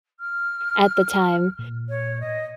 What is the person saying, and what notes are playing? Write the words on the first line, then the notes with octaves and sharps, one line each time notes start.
at the time,
F6
A#2
C#5
D#5